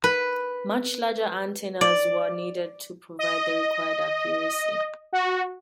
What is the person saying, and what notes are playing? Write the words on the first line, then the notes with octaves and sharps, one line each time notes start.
Much larger antennas were needed to provide the required accuracy.
B4
D5
D#5
F#4